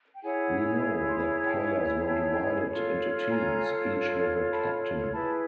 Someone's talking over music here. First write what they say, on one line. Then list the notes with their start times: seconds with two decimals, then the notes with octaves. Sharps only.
We know that players were divided into teams, each with a captain.
0.16 G5
0.23 E4 G#4 C#5 F#5 G#5
1.08 C6
1.20 B5
1.33 A#5
1.45 G5 A5
2.07 G5 A5
2.68 F4 A4 C#5
3.30 G#5 A#5
4.52 A5 B5
5.13 E4 G#4 B4 A5 B5